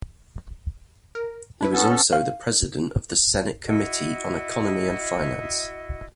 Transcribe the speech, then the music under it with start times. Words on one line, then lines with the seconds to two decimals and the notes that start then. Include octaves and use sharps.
He was also the President of the Senate Committee on Economy and Finance.
1.15 A#4
1.61 D4 E4 B4
1.73 B3 C#4 A4
2.13 F5
3.66 E4 F#4 D#5